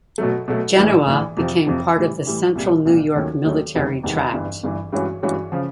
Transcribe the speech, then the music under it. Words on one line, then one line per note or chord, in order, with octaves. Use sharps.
Genoa became part of the Central New York Military Tract.
B2 F#3 A3
B2 F#3 A3
A#1 A2 E3
A#1 A2 E3
F2 C3 F3
F2 C3 F3
A2 E3 G3
A2 E3 G3
C2 A#2 G3
C2 A#2 G3
D#2 D#3 F#3 A3 C#4
D#2 D#3 F#3 A3 C#4
F1 E2 C3 D#3 G3
F1 E2 C3 D#3 G3
G1 G2 E3
G1 G2 E3
G2 E3 G#3 C#4 F#4
G2 E3 G#3 C#4 F#4
C#3 F3